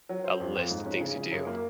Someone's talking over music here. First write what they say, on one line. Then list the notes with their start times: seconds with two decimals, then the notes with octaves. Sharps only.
a list of things to do,
0.09 F#3
0.24 C5
0.40 F2
0.55 F2
0.71 G#2
0.86 C#4
1.01 C#3
1.16 C#3
1.31 F#2
1.47 A#3